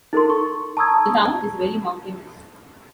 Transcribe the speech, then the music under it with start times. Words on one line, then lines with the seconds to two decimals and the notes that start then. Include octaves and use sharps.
The town is very mountainous.
0.13 D#4 A4 A#4 C6
0.30 C#6
0.77 A5 A#5 C#6 D#6 E6 G#6